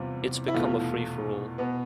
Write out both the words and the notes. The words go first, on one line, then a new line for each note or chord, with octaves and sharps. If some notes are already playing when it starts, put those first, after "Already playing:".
It's become a free-for-all.
Already playing: E2 C3 G3 B3 F4
E4
E2 B2 A3 F4
B2 B3